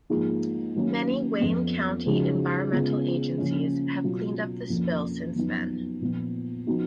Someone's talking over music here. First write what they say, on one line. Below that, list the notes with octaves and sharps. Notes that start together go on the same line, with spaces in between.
Many Wayne County environmental agencies have cleaned up the spill since then.
G#2 F3 A#3 F4 G#4
D#3 F#3 A#3 C#4
F2 F3 B3
C#3 F3 G#3 D#4 F#4
C#3 G#3 B3 F4
C#3 F3 A#3 C#4
B2 F#3 C#4 F4
F2 F3 A#3 C#4
F#2 F3 B3 D#4
A#2 F3 B3
F3 B3 D#4 F#4